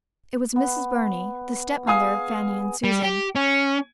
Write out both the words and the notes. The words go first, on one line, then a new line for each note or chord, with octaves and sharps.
It was Mrs. Burney, the stepmother of Fanny and Susan.
B3
G#4 F5 G#5 D#6
G3
G4
C#4